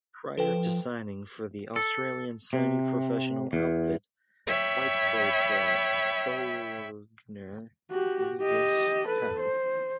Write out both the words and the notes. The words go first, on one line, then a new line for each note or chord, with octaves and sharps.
Prior to signing for the Australian semi-professional outfit, White played for Bognor Regis Town.
F3 A4 B4 G5
A4
C3
E2
C#5 E5 G5 B5
F#4 G4
G4 D#5
A4 B4
C5